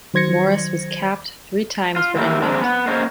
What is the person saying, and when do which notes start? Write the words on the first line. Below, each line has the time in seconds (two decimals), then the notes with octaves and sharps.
Morris was capped three times for England.
0.14 D#3 F#3 C5 G#6 A#6 C#7
1.96 F4
2.16 D#3 A3 A#3 E4 G4
2.42 A2 F3 G#3 C4 D4 D#4
2.61 B3
2.88 A#3 C#4 G#4 C5 D#5